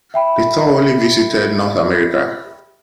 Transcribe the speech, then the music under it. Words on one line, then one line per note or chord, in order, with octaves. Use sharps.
The tour only visited North America.
E5 G5 B5